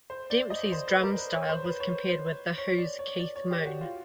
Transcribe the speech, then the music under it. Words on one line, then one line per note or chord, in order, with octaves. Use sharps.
Demsey's drum style was compared with The Who's Keith Moon.
C5
D5
D#5
C5
B4
A#4
B4
C#5
C5
B4
C#5
C#5
D5
C#5
D5
C#5
G4
F#4
F4